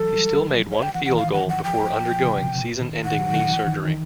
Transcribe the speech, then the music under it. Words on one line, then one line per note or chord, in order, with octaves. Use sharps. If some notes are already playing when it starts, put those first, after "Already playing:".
He still made one field goal before undergoing season-ending knee surgery.
Already playing: E3 F#3 A4
G3
F3
C#5
G5
E3 F#5
F#5
D#3
E3 F5
F#5
F3
F#5
G5
F3
C#3
C3
B2
A#2
D#3
D#3 F#5
F#3
D#3
E3
D#3
D#3